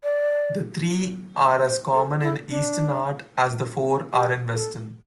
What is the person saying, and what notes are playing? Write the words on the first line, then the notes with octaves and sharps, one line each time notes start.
The three are as common in Eastern art as the four are in Western.
D5
C5
A4
E4
D4
G4
A4